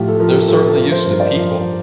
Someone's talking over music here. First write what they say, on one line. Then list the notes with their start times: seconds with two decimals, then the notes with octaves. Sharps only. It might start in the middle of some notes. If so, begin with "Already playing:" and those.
they're certainly used to people.
Already playing: A2 F3 F4 G4
0.08 A4
0.20 F3 A#4
0.28 G4
0.34 A4
0.48 F3 A4
0.63 A4
0.77 F3 A#4
0.91 C5
1.05 G2 A#4
1.20 D5
1.34 F3